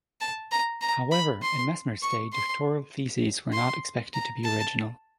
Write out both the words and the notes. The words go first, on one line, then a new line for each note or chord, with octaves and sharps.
However, in Mesmer's day doctoral theses were not expected to be original.
A5
A#5
A#5
B5
C6
C#6
C6
C6
A#5
A5